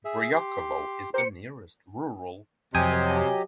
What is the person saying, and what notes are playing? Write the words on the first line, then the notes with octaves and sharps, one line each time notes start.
Bryokhovo is the nearest rural locality.
G#4 E5
G4 C6
G4 A#4 C5 C#7
F2 C3 F#3 G4 D#5 G5 G#5 D#6